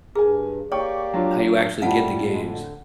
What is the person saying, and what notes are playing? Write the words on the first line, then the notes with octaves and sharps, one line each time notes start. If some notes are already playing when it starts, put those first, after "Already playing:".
how you actually get the games,
G2 G#4 A#4 G#5
A#3 G4 C#5 D5 G5 C#6
F#3 D4 F4
F2 A2 F3 G3 F5 F#5 A5
G#3
D3